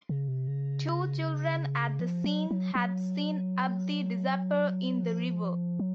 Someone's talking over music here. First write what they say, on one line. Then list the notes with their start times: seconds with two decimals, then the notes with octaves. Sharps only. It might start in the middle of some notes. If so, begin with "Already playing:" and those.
Two children at the scene had seen Abdi disappear in the river.
0.09 C#3
0.28 C3
0.48 C#3
2.00 F3
2.24 F#3
2.51 F#3
2.75 F#3
5.03 F3
5.80 F#3